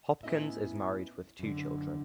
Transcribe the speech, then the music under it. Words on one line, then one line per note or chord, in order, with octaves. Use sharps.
Hopkins is married with two children.
A2 B3 C#4 E4 D#5 E5
F#2 D3